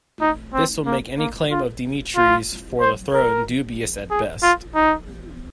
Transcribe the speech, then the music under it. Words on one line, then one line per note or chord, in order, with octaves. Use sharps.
This would make any claim of Dmitry's for the throne dubious at best.
D#4
C4
A#3
A#3
F4
F4
C5
A#4
G#4
F4
D#4